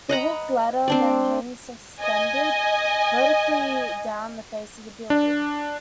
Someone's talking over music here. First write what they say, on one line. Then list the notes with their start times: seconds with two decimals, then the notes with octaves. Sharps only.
The hooked ladder then hangs suspended vertically down the face of the building.
0.09 D#5 F#5 A#5 B5
0.88 C4 D4 D5
2.00 D#5 G#5
5.10 D4